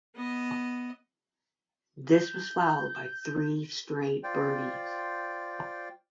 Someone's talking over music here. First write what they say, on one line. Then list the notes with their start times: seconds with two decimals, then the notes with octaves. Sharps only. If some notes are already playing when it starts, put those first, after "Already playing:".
This was followed by three straight birdies.
0.15 B3 D#5
2.12 G6
4.23 F4 C5 D5 G5